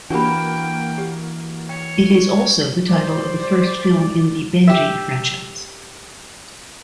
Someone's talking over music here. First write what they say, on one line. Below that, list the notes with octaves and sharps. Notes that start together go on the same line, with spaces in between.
It is also the title of the first film in the "Benji" franchise.
E3 A#3 D4 F#4 G4 G5 B5
G4
C#5 G5
G3 C5 D5
G4 E5